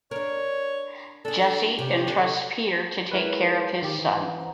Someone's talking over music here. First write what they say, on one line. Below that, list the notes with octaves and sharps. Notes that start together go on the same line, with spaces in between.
Jesse entrusts Peter to take care of his son.
D4 A#4 C#5
D4 G#4 A4
C3 C#4 G4
D3
G#3 E4 G#4 A#4 B4 C#5
D#3 G4 A5
E3
C5 F#5 A#5